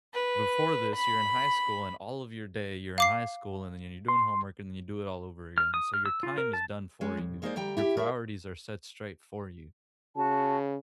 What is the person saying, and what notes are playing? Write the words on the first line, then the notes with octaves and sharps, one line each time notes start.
before this you're in high school, and all of your day you're in high school, and then you're doing homework, and then you do it all over again. So your time is done for you. Your priorities are set straight for you.
B4
B5
F5 D6 C7
C6
F6
D#6
F6
E6
F4
A#4
A5
G#3 C#4
F2
G#3 A#3 D#4 A4 C5 D5
D2 G3 G5 A#5
E4 G4 G5
A#4 E5
C#3 F#4 A5